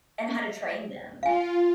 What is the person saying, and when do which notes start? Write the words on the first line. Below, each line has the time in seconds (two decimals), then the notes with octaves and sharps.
And how to train them.
1.23 F4 F5 G#5